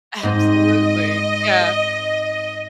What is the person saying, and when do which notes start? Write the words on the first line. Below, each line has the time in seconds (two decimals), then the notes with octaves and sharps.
Absolutely, yeah.
0.23 G#2 C4 D#5